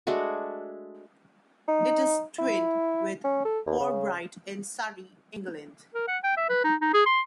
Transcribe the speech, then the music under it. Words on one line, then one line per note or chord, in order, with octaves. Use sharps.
It is twinned with Pirbright in Surrey, England.
G#3 A3 D4 F#4
D#4
E4
C#4
A4
D#2
C#3
A#4
F#5
G5
E5
B4
D#4
D#4
G#4
C6